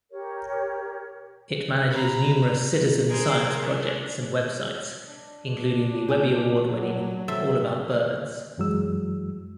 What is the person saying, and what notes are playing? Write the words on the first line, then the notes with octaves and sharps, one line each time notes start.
It manages numerous citizen-science projects and websites, including the Webby Award-winning "All About Birds".
G4 A#4 C#5
A#5 B5
G#4 A#4 C5
C#4 D4
D4
G3 G#5 G6
F#3
C3 A4 C5 E5
F#2 E3 F#3 G#3 E6